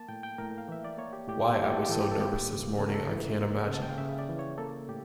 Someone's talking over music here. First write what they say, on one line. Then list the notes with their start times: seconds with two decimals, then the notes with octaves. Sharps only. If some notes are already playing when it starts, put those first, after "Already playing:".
Why I was so nervous this morning I can't imagine.
Already playing: A#3 A5
0.09 A2 G5
0.23 G5
0.38 A2 A#4
0.58 F5
0.68 E3 E5
0.84 D5
0.98 A#3 C#5
1.13 G4
1.28 A2 G4
1.44 G4
1.53 A4
1.58 A2 G4
1.73 A4
1.82 G4
1.89 E3 A4
2.01 G4
2.11 A4
2.19 A#3 G4
2.48 C#3
2.78 C#3 A4
2.87 A#4
2.94 A4
3.09 E3
3.38 A#3
3.68 C#3
3.73 A5
3.82 G5
3.90 F5
3.98 C#3 E5
4.19 D5
4.29 E3
4.39 C#5
4.58 A#3 A4
4.88 A2 G4